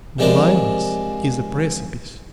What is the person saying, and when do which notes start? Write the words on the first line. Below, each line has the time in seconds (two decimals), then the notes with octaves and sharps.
Blindness is a precipice.
0.18 C3 F3 G#3 D4 A#4